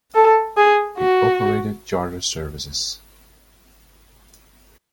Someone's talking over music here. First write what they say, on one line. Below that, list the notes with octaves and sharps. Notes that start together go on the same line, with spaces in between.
It operated charter services.
A4
G#4
F#4